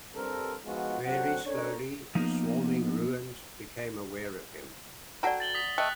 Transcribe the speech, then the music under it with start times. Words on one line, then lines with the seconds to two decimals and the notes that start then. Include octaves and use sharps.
Very slowly the swarming ruins became aware of him.
0.15 G2 C4 A4 A#4
0.65 F3 G#3 B3 D#4 F4 F#4
1.06 D3 F#3 C4 F#4 F#5
1.46 C#4 D4 A4 A#4 C#5
2.15 F3 A#3 B3 D#4
5.23 F#4 A4 D5 F#5 G5 A#5
5.40 A6 F#7 G7
5.54 D#6 B6
5.78 A3 D#5 G5 F#6